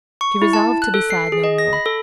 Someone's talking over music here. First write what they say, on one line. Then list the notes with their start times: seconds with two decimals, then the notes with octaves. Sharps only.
She resolved to be sad no more.
0.21 C#6
0.42 E4
0.53 A5
0.82 F#6
0.94 A4
1.10 C7
1.32 G#4
1.44 D#5
1.58 A#6
1.73 B5
1.86 A4